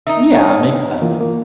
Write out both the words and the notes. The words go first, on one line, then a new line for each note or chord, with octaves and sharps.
Yeah, makes sense.
D#3 D#4 E5
D4 C#5
E3 A#3 F4
A#3